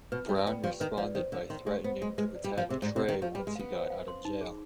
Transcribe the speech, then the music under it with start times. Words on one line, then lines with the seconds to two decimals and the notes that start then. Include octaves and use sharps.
Brown responded by threatening to attack Trey once he got out of jail.
0.12 B2 B4
0.29 G3 D5
0.47 B3 G5
0.64 F3 G4
0.80 D#3 B4
0.97 F3 D5
1.15 D#3 C5
1.32 D3 F5
1.50 D#3 C6
1.66 G#3 G4
1.84 B3 C5
2.01 G#3 D#5
2.18 G#3 B4
2.35 D5
2.44 G3
2.52 G5
2.58 F3
2.69 C3 G#4
2.82 G#2
2.87 D5
2.96 C3
3.04 D#3 F5
3.21 F3 G4
3.35 G3
3.39 B4
3.47 G#3
3.55 B3 F5
3.73 C5
3.90 F5
4.08 C6
4.25 D#4
4.41 G#4